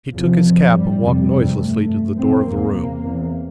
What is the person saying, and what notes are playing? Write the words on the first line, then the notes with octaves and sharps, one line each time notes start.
He took his cap and walked noiselessly to the door of the room.
E2 C3 F3
F2 C3
G2 G3
F2 C3 G3
E2 C3 G3
G2 A3
G2
F2 C3 C4
E2 C3 A#3
E2 C3
E2 C3